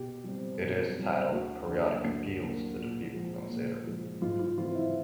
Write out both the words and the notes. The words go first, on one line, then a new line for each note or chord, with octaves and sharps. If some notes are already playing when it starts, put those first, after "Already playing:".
It is titled Periodic Appeals to the People Considered.
Already playing: B2 G4
G3 C4
B2
G3 C4
D2 F#4
D3 F#3 A#3
D2
D3 F#3 A#3
A#2
F3 G#3
A#2
F3 G#3
G#2 F4
F4
E3 A3 C4 F4
E4